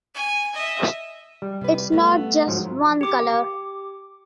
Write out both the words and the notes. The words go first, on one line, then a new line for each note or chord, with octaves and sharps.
It's not just one color.
G#5
D#5 E5
G3
C3 B4
A3 B3
G#2 F3 F#3
G4 D6